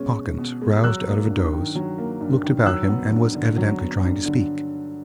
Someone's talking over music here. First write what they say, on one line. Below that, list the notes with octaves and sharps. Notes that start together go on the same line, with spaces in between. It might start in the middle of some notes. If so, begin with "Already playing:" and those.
Hawkins roused out of a doze, looked about him and was evidently trying to speak.
Already playing: B2 G#3 C#4
B2
B2
G#3
F#3 E6 F#6
A#3
G2
D#3
F#3
A#3
G2
D#3
F#3 E6 F#6
B3
G2
D3
F#3
B3
G2
D3